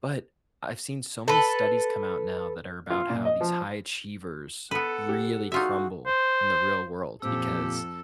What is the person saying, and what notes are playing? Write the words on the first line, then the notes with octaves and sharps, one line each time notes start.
But I've seen so many studies come out now that are about how these high achievers really crumble in the real world because
A4 B4
F4
A#2
D#5
F3
B3 A4 B4 F#5
G4
G#3 D#4 F4 F#4 E5
C5
F2 A#2 C4 G4 A4 E6